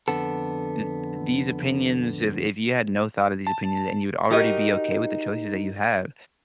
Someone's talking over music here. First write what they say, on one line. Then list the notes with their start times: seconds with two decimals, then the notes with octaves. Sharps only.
n these opinions, if if you had no thought of these opinions and you'd already be okay with the choices that you have,
0.08 F2 D3 B3 A4
3.47 A5
4.30 D#4 F#4 G4 A#4 D#5